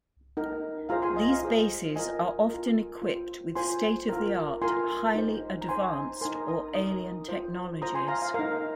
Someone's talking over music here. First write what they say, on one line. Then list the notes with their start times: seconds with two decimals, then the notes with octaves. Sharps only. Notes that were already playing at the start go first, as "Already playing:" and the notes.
These bases are often equipped with state-of-the-art, highly advanced, or alien technologies.
0.37 D#4 A#4
0.89 F4 G#4 C5 F5 A#5
1.02 G#5 C6
1.17 D#5
1.29 F5
1.43 F4 G#4 C5
1.96 F4 A#4 D#5 G#5
2.50 F4 A#4
3.02 F4 C5
3.55 F4 C5 G#5 C6
4.09 F4 A#4
4.62 F4 A#4 G#5 C6
5.15 D#4 C5
5.62 A#5
5.69 D#4 C5 G#5 C6
6.21 A#4 G#5 C6
6.25 D#4
6.35 A#5 D#6
6.48 A#5 D#6
6.75 D#4 A#4 A#5 D#6
7.28 F4 C5
7.81 F4 C5 A#5 D#6
7.95 G#5 C6
8.08 F5 A#5
8.22 F5
8.34 A#4 F5
8.39 D#4